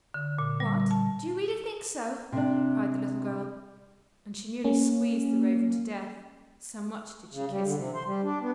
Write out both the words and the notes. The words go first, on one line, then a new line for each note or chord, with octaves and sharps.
"What, do you really think so?" cried the little girl; and she nearly squeezed the Raven to death, so much did she kiss him.
D3
A#2
G3
A5
C3 D4
A#3 C#4
C#3
G3
D3
C3
C5
G3
D4
B3